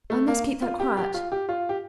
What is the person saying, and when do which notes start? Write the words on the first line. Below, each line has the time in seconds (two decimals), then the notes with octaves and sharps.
I must keep that quiet.
0.10 A3
0.28 A#3
0.62 F4
0.80 G4
0.97 G4
1.14 F4
1.32 G4
1.49 F4
1.69 G4